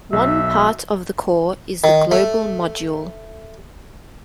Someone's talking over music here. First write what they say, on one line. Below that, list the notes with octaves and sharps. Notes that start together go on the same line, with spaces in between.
One part of the Core is the Global Module.
B1 E5
D#3
A3